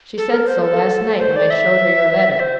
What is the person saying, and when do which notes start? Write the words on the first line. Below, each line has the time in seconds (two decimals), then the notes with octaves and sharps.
She said so, last night, when I showed her your letter.
0.18 A4
0.32 A#4
0.47 C5
0.62 A4
1.20 C5
1.36 D5
1.50 E5
2.40 C5